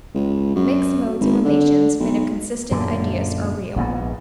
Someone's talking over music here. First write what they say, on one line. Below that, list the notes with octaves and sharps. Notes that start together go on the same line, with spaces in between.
Mixed Modes and Relations, made of consistent Ideas, are real.
C#2
F#2
G#1
D3
B1
F#2 A#2 D3
A#1 G#2 B3